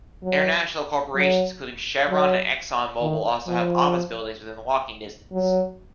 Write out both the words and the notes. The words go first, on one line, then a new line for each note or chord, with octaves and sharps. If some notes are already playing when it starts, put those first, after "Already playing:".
International corporations including Chevron and ExxonMobil also have office buildings within walking distance.
F#3
F#3
F#3
D#3
F3
F#3